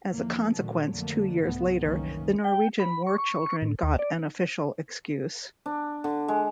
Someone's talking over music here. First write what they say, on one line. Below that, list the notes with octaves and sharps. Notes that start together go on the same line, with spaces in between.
As a consequence, two years later the Norwegian war children got an official excuse.
F2 E3 A#3
A#2 D3 D#3 F#3 A3
F2 D3 F#3 A3 A#3
C2 G#2 A3 B3
F#1 C2 D#3 E3 A#3 C#4
G5
B5
C#6
C#6
A2
D#2
D5
D4
D3
G#3